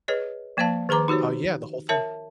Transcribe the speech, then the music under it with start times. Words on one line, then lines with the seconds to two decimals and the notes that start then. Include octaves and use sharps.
Uh, yeah, the whole thing
0.08 G#4 B4 C#5 D#5
0.57 F3 A#3 C5 D5 F5 A5
0.89 D#3 G#4 B4 A#5 D6
1.08 D#4 F#4 G4 C5 C#5
1.89 A#4 C#5 E5 A5